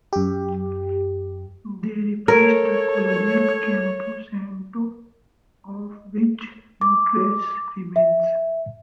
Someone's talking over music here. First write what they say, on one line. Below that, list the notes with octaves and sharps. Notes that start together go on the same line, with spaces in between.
They replaced the colonial Campo Santo, of which no trace remains.
F#2 G4
A4 A#4 C#5
D6
E5